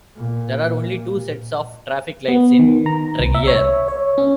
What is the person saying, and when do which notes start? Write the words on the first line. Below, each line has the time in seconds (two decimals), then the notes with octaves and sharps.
There are only two sets of traffic lights in Tregear.
0.16 A#2
2.28 B3
2.59 D#3
2.86 A#5
3.20 C2
3.35 E5
3.47 C#5
3.88 C#5
4.18 C#4